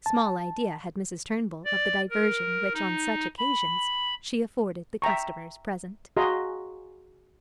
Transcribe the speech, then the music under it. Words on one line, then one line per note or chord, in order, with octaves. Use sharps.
Small idea had Mrs. Turnbull of the diversion which on such occasions she afforded the customers present.
A5
D5
A#4
D#4
B5
E5 G5 A#5 C#6
F#4 G#4 D#5 F5 A#5 C6